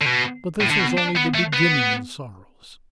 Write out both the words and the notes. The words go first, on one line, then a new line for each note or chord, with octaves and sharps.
But this was only the beginning of sorrows.
D3
B2
A2
D3
B2
D4
B3
A3
B3